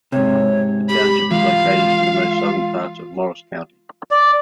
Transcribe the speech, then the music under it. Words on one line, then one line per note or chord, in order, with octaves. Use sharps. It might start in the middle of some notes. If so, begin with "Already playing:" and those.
The township is located in the most southern part of Morris County.
G#2 C3 C#5
G4 B5
E3 G#3 F4 F5
D5